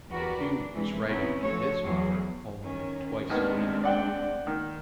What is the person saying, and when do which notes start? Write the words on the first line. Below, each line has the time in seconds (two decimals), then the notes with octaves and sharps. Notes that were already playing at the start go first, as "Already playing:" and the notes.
Hugh was writing to his mother only twice a week.
0.12 E2 F#4 G4 A#4 B4 D5
0.42 D4
0.74 C3 E3 G#3
1.06 C3 B3 C#4 D#4 E4
1.42 F3 A3 F#4 A4 C#5
1.83 E2 F#3 G#4
2.61 D#3 C#4
3.30 D#2 D#3 G#3 B3 C4 D4
3.84 D5 F#5 G5
4.47 D#3